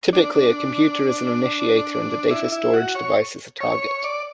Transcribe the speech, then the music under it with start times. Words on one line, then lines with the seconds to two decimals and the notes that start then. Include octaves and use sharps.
Typically, a computer is an initiator and a data storage device is a target.
0.13 D4
0.35 D4
2.31 E4
2.52 E4
2.74 F#4
2.95 C#5
3.61 C#5
4.04 D5